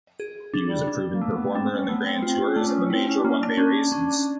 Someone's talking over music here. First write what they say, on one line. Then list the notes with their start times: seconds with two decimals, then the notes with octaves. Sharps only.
He was a proven performer in the Grand Tours and the major one-day races.
0.20 G#4
0.54 D4
0.64 G3
0.87 D4
1.10 A#3
1.21 A3
1.32 B3
1.50 B3
1.55 C4 D4
1.72 C#4
1.89 A3 B3
2.06 C4
2.22 C4 F4
2.45 C#4
2.56 A3 D4
2.68 C#4
2.90 C4 E4
3.07 C#4
3.20 D4
3.24 A#3 C#4
3.41 D4
3.58 C#4
3.92 C#4